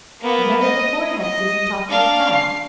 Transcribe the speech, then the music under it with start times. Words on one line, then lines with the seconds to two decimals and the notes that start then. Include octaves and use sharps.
Whenever before had Susan talked like that?
0.21 A#3 B3
0.62 D#5
1.22 D#5
1.89 D4 F5
2.35 C7